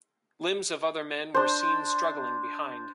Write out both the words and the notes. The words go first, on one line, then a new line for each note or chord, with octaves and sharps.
Limbs of other men were seen struggling behind.
D4 C5